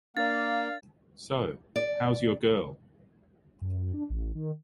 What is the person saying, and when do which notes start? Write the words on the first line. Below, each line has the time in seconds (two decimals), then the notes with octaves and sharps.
So... How's Your Girl?
0.17 A#3 D4 A#4 D5 F5 A6
1.76 D5
3.61 F#2
3.94 D4
4.10 A1
4.35 D#3